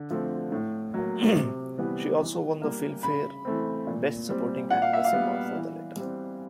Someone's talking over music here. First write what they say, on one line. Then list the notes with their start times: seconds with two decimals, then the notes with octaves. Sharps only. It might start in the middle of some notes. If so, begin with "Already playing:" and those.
She also won the Filmfare Best Supporting Actress Award for the latter.
Already playing: D3
0.10 F3 A3 C4
0.52 A2
0.94 F#3 A#3
1.36 C3
1.78 E3 G3 B3
2.20 E3
2.62 G3 A#3
3.03 C#3 B5
3.45 E3 A3 C4
3.87 A#2
4.29 G3 C4
4.70 A#2 F#5
4.82 F5
4.93 E5
5.04 F5
5.13 G3 B3
5.54 E3
5.96 G3 C4